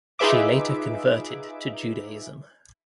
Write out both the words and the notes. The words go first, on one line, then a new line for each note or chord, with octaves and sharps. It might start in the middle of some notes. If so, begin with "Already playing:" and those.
She later converted to Judaism.
D#4 F4 G#4 B4 E5 D6